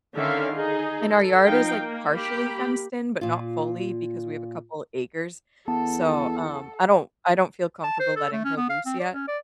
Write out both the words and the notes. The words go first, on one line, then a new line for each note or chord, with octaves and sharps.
and our yard is, like, partially fenced in, but not fully because we have a couple acres, so, um, I don't I don't feel comfortable letting her loose yet.
D3 D#3 C#4 E5 F5
D#4 G#4
A4
F3 D#4 F5 G5
A#3
A#3 G4 B5
A#2 F4
E2 B3 A4 F#5 A5
A5
C5
A4
A3
C#4
B3
F5
C4
D5
C#4
D5